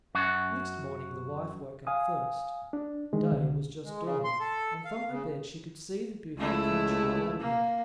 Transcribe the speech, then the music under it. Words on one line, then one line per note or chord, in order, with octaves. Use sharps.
Next morning the wife woke up first; day was just dawning, and from her bed she could see the beautiful country around her.
F#2 F#4
F5 G#5 D#6
D4
D#3 G#3
C2 D3
G#3
C#3
C6
A4
F5
C#3
C#2 A3 E4
A#3